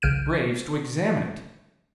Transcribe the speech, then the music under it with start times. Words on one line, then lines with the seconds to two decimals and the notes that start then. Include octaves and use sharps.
Graves to examine it.
0.02 B1 C#3 F6 G6 D7 D#7